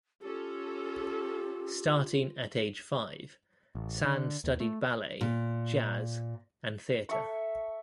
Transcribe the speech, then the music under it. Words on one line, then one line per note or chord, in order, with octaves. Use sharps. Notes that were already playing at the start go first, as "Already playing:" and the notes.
Starting at age five, Sand studied ballet, jazz and theatre.
C#4 F4 G4 A4
A1
D3
D#2
A3
A#2
A4 E5 C#6